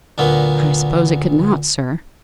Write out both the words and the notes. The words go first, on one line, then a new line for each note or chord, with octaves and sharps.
"I suppose it could not, sir."
D2 A#2 F#3 A#3 B3